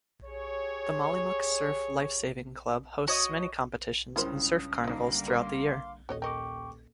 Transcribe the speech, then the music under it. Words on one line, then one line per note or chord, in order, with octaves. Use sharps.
The Mollymook Surf Lifesaving Club hosts many competitions and surf carnivals throughout the year.
G4 G#4 C#5
F#4 C#5 D#5
C#2 G2 C#3 E4 A#4 C5 D#6
D3 F3 G3 A#3 D#4
A#4 F5 C6 D6
D#1 F#4 C#5 D#5
A#4 D#5 G5 C#6 D6